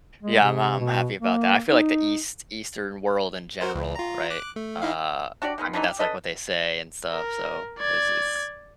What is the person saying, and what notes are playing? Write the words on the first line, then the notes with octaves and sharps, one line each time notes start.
Yeah, I'm I'm happy about that, I feel like the east eastern world in general, right? Uh, I mean, that's, like, what they say and stuff, so it's it's
G#3
C3
B2
A#3
D#4
F#4 A#4 C5
C#2
F4 A#5
D6 F#6
A3
D#4 E4 F5
D4 F#4 G4 D5
D#3 G#3 B3
D3 E3 F#3 D#4
G4
C#4 A4 B4 D#5
A#4
D5 G#6